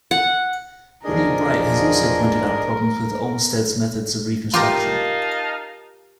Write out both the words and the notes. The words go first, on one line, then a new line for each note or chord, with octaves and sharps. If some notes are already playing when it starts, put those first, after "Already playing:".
William Bright has also pointed out problems with Olmsted's methods of reconstruction.
F#5
E2 F3 D4 G#4 A#4 D#5
D#4 F4 G4 A#4 F5 A5